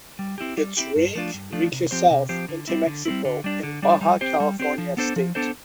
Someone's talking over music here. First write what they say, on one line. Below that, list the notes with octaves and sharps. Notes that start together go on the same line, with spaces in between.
Its range reaches south into Mexico in Baja California state.
G3
C4 E4 G4
G3
C4 E4 G4
G2
F3 A3 D4 F4
G2
F3 A3 D4 F4
C3
F3 C4 G4 C5
C3
F3 C4 G4 C5
D3
G3 C4 E4
D3
G3 C4 E4
D3
G3 D4
D3
G3 D4
G3
C4 G4 C5
G3
C4 G4 C5
F3
B3 D4 A4 C5
F3
B3 D4 A4 C5